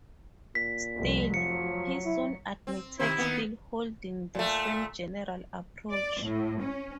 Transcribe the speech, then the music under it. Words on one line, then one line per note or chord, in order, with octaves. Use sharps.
Still, he soon admitted still holding "the same general approach".
A#2 B6
F1 C2
F3 F#3 C#7
E4
C4
C3 D#3 E4 C5
D#3 A#3 B3
A#2 A3
D5
A2
C#4